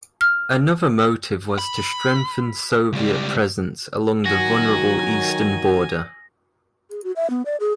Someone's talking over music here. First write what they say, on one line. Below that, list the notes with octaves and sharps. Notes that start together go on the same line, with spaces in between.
Another motive was to strengthen Soviet presence along the vulnerable eastern border.
F6
B5
C#2 G3
D#3 F#3 F#4 G#5 A#6
G#4
F#4
E5
B3
D5
G#4